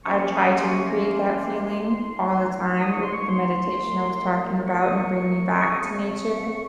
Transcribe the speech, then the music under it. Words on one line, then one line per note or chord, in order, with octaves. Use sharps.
I've tried to recreate that feeling all the time with the meditation I was talking about and bring me back to nature.
C2 C3 F3 A#3 C#4 C#6
C6
C#6
D#6
C6
C#6
A#5
C6
A#2 F3 A3 D#4
D#6
C#6
C6
C#6
C#6
C6
C2 A#2 F#3 A3
C#6
D#6
C#6
C#3 A3 C4 C#6
D#6
C#6